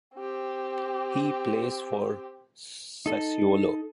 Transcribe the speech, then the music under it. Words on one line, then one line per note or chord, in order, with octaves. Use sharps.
He plays for Sassuolo.
C4 G4
D#4 A4